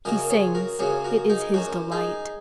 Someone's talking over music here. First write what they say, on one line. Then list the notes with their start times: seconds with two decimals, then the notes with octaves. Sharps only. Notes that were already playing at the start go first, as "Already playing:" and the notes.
He sings; it is his delight.
0.05 F#2 C#3 F#3 C#4 A#4 D#5
0.30 G#4 C#5
0.55 F#4 A#4
0.79 F#2 C#3 F#3 C#4 G#4 C#5
1.04 F#4 A#4
1.30 D#4 G#4
1.54 F#2 F#3 C#4 F#4
1.92 D#4 G#4